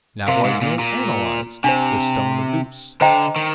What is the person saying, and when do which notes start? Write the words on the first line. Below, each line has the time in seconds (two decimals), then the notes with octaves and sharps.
Lavoisier analyzed the stone of Luce.
0.27 C3 A#4 F5 C6
0.44 G#2
0.62 A#2
0.79 A#2
1.64 C3 D4 G4 C5
3.01 D3 C5 D#5 G5 A#5
3.36 D#3